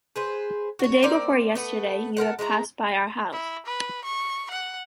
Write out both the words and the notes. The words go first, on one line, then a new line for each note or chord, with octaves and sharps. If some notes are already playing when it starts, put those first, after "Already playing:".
The day before yesterday you have passed by our house.
G#4 B4 C5
F#4 C#5
A#3 C4 D5
A3 B3 B4
A4 A#4 C5 F#5
G#3 E4 F4 A#5
E4
B4
C#6
F#5